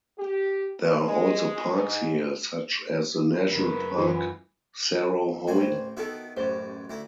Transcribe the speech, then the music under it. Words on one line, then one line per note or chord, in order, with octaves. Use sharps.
There are also parks here, such as the national park Cerro Hoya.
G4
G#3
G#2
F#2 C#3 G#3 A#4 B4
F#2 E3 F4
A1 C4 F#4 G#5
C5
D#3 B3 E4 F#4 A4
A1 F#2 G4 C5
D2 E4